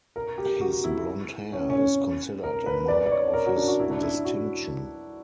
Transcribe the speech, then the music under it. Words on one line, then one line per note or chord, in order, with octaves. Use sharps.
His blond hair is considered a mark of his distinction.
A#4
G4
F#4
E4
C#4
C#4
A#4
B4
D5
D5
C#5
A#4
F#4
D4
F#4
E4
D4
E4
F#4